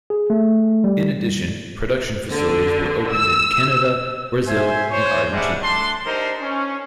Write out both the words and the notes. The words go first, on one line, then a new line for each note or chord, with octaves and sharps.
In addition, production facilities were opened in Canada, Brazil and Argentina.
G#4
A3
G3
D3
E6
C5 E5 G#5
C5 C#5 G#5
G3 G#3 D4 D5 E5 F#5
A3 D4 A5 C6
D4 D#4 G4 A#4 C5
C#4